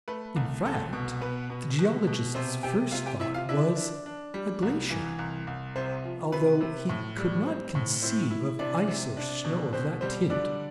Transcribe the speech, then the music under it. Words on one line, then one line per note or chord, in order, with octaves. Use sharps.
In fact, the geologist's first thought was "A glacier," although he could not conceive of ice or snow of that tint.
A3 B4
C2
C2 A4
B2
B3 B4
B2
B2
B2
C3 C4 C5
C3 G4 G5
C3 F4 F5
G4 G5
C3 E4 E5
F4 F5
D4 E4 E5
D4
D4
G3
C2
E3
C2
C2
C3 C4 C5
F3
C3 B4
C3
A2
G3
C4
A2
C4 E4 C5
E4
C3 D4 D5
C3
D4
B2
B2 C4 C5
G3 C4 C5
D3 D4 D5